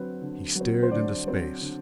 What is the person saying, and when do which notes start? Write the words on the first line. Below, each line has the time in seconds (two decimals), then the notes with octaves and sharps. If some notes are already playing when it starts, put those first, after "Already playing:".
He stared into space.
Already playing: D3 F#3 C4 B4
0.22 D3
0.55 F#3
0.61 C4
0.83 C5
0.91 D3 D5
1.26 F#3 C4
1.61 D3